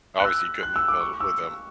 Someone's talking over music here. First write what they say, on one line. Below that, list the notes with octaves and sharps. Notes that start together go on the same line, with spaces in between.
obviously couldn't, well, with, um,
F#6
E6
F#6
E6
D6
C#6
E6